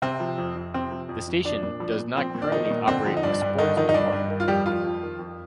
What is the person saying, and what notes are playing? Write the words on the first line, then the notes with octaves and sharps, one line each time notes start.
The station does not currently operate a sports department.
C3 C4
F3
F2
F2
C3 C4
F3
F2
F2
F3 D4
A#2 D4
F3
A#2
F3 C4
A#2
D4
D#3 F3 D#4
A#2
D3 C4
F3
D#4
G2 D4
G2
D3 D#3 D#4
D#3 F3 D#4
D#4
G2 D4
G2
D#3
F4
F2 G3 G4
D#3 F3 F4
F2
D#3
F2